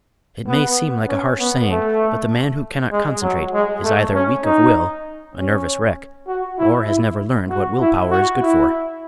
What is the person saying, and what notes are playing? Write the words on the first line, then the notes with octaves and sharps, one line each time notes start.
It may seem like a harsh saying, but the man who cannot concentrate is either weak of will, a nervous wreck, or has never learned what will-power is good for.
B3
C#4
B3
A3
G#3
F#3
G#3
A3
C#4
D#4
C#4
F#4
E4
E4
F#4
E4
F#4
E4